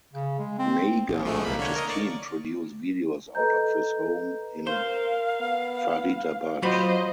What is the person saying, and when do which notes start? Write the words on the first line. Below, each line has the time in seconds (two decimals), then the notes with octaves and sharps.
Nagar and his team produce videos out of his home in Faridabad.
0.13 C#3
0.39 G#3
0.58 C4
1.08 A#1
1.25 F3 G#3 A3
1.45 C2 A#3 B5
1.59 D3 A#3 C#5
1.76 A#4 D#5
1.90 D5 C#6
3.35 A4 B4 D#5 A#5 G6
4.67 A#4 C5 F5
5.41 B3
6.62 F#3 F4 C5 D#5 B5